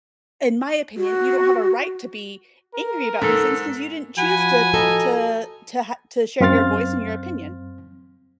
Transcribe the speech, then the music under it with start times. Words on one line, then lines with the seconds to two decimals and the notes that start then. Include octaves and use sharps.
in my opinion, you don't have a right to be angry about these things, 'cause you didn't choose to to to ha to share your voice and your opinion.
0.97 F#4
2.75 A#4
3.22 G#2 A4
4.18 F3 F#4 F#5 G#5 B5
4.74 A4 D#5 A#5
6.41 F#2 C4 F5 C6 F6 A6